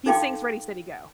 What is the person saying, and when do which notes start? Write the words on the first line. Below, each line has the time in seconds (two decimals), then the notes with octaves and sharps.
he sings "Ready Steady Go!"
0.06 D#4 A4 F5 G5 C6 D6